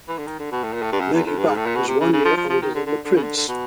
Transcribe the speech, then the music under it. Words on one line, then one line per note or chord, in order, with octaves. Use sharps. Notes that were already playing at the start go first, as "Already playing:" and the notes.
Lady Bak was one year older than the Prince.
E3
D3
D#3
D3
B2
A2
A#2
A2
G2
F#2
E2
F2
G2
G#2
A2
A#2
B2
C3
C#3
C#3
F3
F3
F3
D#3
D3
D3
D3
C#3
D3
D3
B2